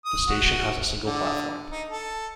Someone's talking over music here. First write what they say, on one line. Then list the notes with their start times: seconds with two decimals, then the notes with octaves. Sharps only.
The station has a single platform.
0.05 D#6
0.29 F#4
1.05 D3
1.71 D#4
1.90 A4